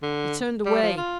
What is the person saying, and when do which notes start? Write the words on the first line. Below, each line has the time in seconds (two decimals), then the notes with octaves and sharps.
He turned away.
0.02 D3
0.66 G3
0.82 F3
0.97 F4